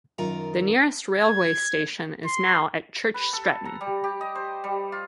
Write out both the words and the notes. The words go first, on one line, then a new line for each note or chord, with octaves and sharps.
The nearest railway station is now at Church Stretton.
F#2 D#3 F4 A#4 A#5
G#6
C6
B4
A4
A#5
G3
G4
D#5
C5
G3
F4